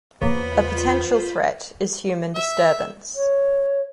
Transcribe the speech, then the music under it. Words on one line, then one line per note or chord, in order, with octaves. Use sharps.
A potential threat is human disturbance.
E2 C#3 A#3 B3 F4 C5 B5
E5
C#5